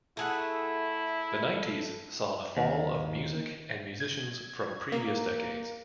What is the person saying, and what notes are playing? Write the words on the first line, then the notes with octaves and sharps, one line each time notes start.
The nineties saw the fall of music and musicians from previous decades.
A3 E4 G#4 F#5
D#2
G#6
A#3